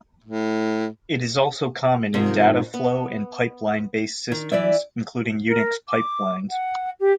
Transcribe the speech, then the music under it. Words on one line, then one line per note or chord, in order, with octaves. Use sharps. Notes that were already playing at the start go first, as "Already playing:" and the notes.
It is also common in dataflow and pipeline-based systems, including Unix pipelines.
A2
G#2 C3 D#3 F3
B3
D#3
E3 E4 D5 E5
A#4
D6
F#5
G4